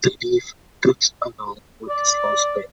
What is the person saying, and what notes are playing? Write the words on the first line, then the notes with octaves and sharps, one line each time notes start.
The leaf drifts along with a slow spin.
D5